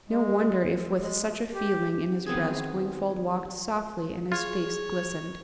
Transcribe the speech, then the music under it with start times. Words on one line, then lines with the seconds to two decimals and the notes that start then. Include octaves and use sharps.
No wonder if with such a feeling in his breast Wingfold walked softly, and his face glistened!
0.08 G#3
0.99 G#3
1.54 G4
2.26 D#3 B3 C4 G#4
4.32 F4 G#4 C#5